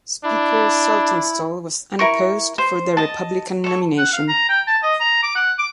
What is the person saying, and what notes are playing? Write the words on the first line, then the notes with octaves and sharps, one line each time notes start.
Speaker Saltonstall was unopposed for the Republican nomination.
D4 E4
E4 A#4 C#6
C5
D#5 A5
A4 C#5
F#5
F5
A#5
G5
A5
D#5
A#5
D6
F#5
D6